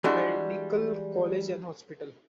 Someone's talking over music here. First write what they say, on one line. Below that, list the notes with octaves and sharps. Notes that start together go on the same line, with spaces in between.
Medical College and Hospital.
E3 G3 G#3 D4 F#4